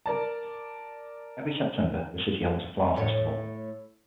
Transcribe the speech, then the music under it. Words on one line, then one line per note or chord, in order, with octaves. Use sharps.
Every September the city holds a flower festival.
A#4 D5 A5
A2 C#5